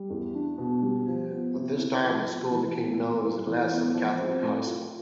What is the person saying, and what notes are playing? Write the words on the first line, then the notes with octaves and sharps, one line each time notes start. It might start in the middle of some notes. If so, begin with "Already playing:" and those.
At this time the school became known as the Gladstone Catholic High School.
Already playing: G3
E2
D4
B2
G3
F3
B3
C3
E4
F3
B3
E3
B3
A2
E4
E3
B3
F3
C4
A2
F4